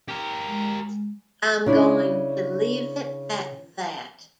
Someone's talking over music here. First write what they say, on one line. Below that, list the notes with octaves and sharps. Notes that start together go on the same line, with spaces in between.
I'm going to leave it at that.
G4 A#4
G#3
C#3 D4 E4